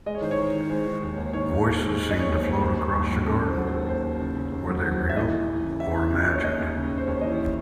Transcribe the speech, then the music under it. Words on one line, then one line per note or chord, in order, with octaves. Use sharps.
Voices seemed to float across the garden, were they real or imagined?
G#3 D#5
C#5
D#3 C5
C#5
D#3
D#3
G#3 C5
D#3
D#2
D#2
D#3 C#5
D#2
D#2
G#3
G#3
D#5
G#3
C#5
D#2
C5
G#3
D#2 C5
D#2
D#2
F#3
C#3 A4
D#2
C5
F#3
C5
D#2
D#2 C5
D#2
C#3
C#3
D#2
F#3
F#3
D#2
E5
E3 D#5
E3
E3
C#3
E3 E5
E3
C#3
D#2
C#5
D#2 D#5
D#2
C#3
D#2
C5
D#2 C#5
D#5
E3 C#5